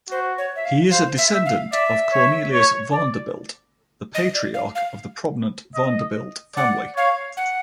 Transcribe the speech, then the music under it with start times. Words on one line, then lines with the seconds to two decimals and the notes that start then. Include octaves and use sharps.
He is a descendant of Cornelius Vanderbilt, the patriarch of the prominent Vanderbilt family.
0.10 F#4 C5
0.38 C#5
0.56 E5
0.65 F5
0.91 C5 F5
1.18 E5
1.33 E5
1.46 F5
1.72 D5 E5
2.12 C#5
2.53 C#5
2.93 D5
4.15 D#5
4.34 D5
4.54 F5
4.75 F5
5.75 D#5
6.56 D5 F#5
6.96 C#5 F5
7.37 F#5